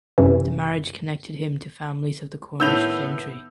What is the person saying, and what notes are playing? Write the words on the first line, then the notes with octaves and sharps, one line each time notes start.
The marriage connected him to families of the Cornish gentry.
G1 F#2 C3 E3
A2 D#3 B3 E6 G6 F7